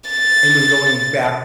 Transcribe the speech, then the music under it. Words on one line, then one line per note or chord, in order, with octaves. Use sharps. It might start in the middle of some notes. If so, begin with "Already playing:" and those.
And when going back
A6